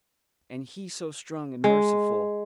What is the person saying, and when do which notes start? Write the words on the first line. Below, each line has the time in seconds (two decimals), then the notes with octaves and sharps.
And He so strong and merciful.
1.64 G#3